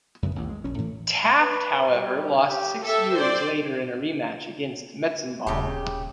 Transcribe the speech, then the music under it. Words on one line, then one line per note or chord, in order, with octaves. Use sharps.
Taft, however, lost six years later in a rematch against Metzenbaum.
F#2 D3 B3
A1 D#2
G#3
A#1 A#2 C#4
A2 E3
B4
G3
G4
G4 A4 E5
C5 D5
D#1 C#3 C#4 G4